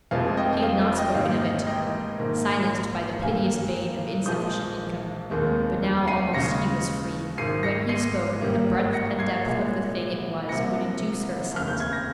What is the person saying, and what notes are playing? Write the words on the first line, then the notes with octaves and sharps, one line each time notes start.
He had not spoken of it to her, silenced by the piteous bane of insufficient income; but now almost he was free. When he spoke, the breadth and depth of the thing it was would induce her assent.
F1 F2 C3 F3 G#3 F5
D#5 G5
G5
F5
F5
D#5 G5
G#1 G#2 D#3 G3 A#3 F5
D#5
D#5 G5
A#1 G#2 D#3 A#3
G#1 G2 G3 A#3 F5 G#5
A#1 A#2 F3 G#3 D#6 G6
F1 D#2 D#3 G#3
C7 D#7
D#2 C#3 G#3 A#6 C#7
G#1 G#2 D#3 C7 D#7
A#6 C#7
C7 D#7
G#1 G2 G3 A#3
A#6 C#7
G#6 C7
C2 A#2 G#3
C2 C3 F3 A#3 A#6 C#7
F1 D#2 C#3 F6
G6
G#6
A#6